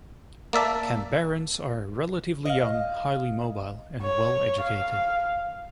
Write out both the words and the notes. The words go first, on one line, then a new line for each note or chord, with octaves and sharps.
Canberrans are relatively young, highly mobile, and well educated.
A#3 D5 E5 A5
D#5 F5
C#5
F5